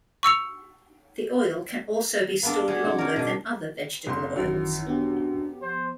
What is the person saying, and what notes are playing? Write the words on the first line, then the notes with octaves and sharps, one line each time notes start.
The oil can also be stored longer than other vegetable oils.
C#6 E6 C#7 F7
E2 A#3 B3 D4
F#4 G#4 D5
C#3 D#4 F4
A#4 C#5
B2 D4
F#1 C4 C6
G#1 F#2 D#3 E3 E4
B3 D4 G4
F3 C5